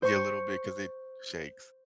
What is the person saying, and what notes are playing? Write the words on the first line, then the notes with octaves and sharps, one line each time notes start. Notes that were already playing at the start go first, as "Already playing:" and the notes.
Yeah, a little bit, 'cause it shakes.
C5 C#6